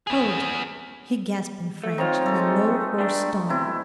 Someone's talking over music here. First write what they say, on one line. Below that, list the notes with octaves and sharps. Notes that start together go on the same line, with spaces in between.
"Hold!" he gasped in French, in a low, hoarse tone.
B3 G#4
A3
C4 D#4 F4 C#5
G#3 A3
G3 D4
B1 C3 E4